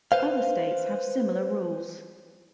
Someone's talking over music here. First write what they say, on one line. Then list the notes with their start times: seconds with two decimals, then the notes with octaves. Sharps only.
Other states have similar rules.
0.12 B4 C5 F5